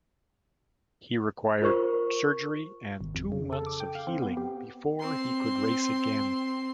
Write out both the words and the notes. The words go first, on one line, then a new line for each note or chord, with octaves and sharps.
He required surgery and two months of healing before he could race again.
F4 A#4 C5 C#6
G#1
F2
C#3
A4
D6
G5
F5
C4
B3
G4
C4 C6